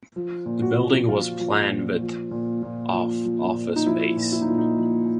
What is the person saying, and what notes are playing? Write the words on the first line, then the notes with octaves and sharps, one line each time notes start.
The building was planned with of office space.
F3
A#2
F#4
A#2
F3 F4
F3
A#2
F3
A#2
A#2
F3
F3
A#2
D#4
F3 E4
A#2
E4
D#4
A#2
D#4
F3